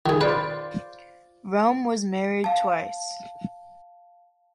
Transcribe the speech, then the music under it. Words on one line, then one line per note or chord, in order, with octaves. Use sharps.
Rome was married twice.
D#3 G#4
F4 B4 C5 D5
F5 A5